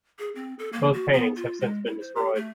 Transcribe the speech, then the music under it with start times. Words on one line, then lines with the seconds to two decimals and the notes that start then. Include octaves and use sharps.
Both paintings have since been destroyed.
0.19 G#4
0.36 C4
0.59 A4
0.73 A#3
0.93 F#4
1.13 B3
1.36 F4
1.61 G#3
1.86 E4
2.00 C5
2.16 G4
2.35 A3